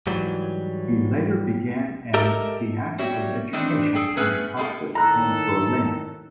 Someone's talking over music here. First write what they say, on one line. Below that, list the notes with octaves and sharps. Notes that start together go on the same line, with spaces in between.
He later began an theatrical education in Cottbus and Berlin.
G#2 E3 F#3 G3
G4 A4 A#4 D#5 E5
G3 F#4 G4 C#5 E5
D#3 E3 A3 C4 D4
G#4 A4 G5
A3 B3 C#4 G#4 B4 G#5
A2 G#3 A#3 G4 A4
A2 D#3 A4 A#5 F#6 A#6